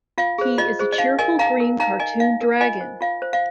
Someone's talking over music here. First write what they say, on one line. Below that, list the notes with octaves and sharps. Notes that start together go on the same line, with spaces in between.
He is a cheerful green cartoon dragon.
F4 F5
G#4 C5
F4 D#5
G#4 C5
D#5
D#4 F5
A#4 D#5 G#5
D#4 F5 A#5
A#4
D#4 F5 A#5
A#4 D#5 G#5
D#4 F5
A#4
F4 D#5 G#5
C5
F4 F5
C5
F5